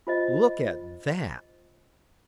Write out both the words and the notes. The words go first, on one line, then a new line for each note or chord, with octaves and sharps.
"Look at that!"
F4 C5 D#5